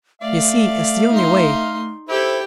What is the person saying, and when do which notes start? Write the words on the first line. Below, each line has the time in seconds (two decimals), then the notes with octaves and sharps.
You see it's the only way.
0.22 A3 D5 E5 F5
1.12 D#4 C6
2.09 E4 G4 A4 C5 G5